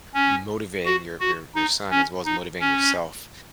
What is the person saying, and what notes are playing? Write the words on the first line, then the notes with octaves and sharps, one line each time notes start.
motivating your your your son as well as motivating yourself
C#4
F#4
F#4
D#4
C#4
D#4
C#4